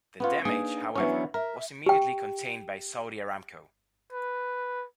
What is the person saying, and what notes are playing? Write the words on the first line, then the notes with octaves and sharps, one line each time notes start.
The damage, however, was immediately contained by Saudi Aramco.
B3 C#4 F4 B4 C#5
A#3 D4 D#4 G#4
E3 F#3 B3 C#4 D4 C#5
A#4 E5
G4 G5
B4